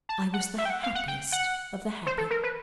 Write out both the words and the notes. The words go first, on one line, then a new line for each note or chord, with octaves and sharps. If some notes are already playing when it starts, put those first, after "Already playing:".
I was the happiest of the happy.
A5
F#5
E5
G5
F#5
F5
F#5
G5
F#5
C5
A4
A#4
B4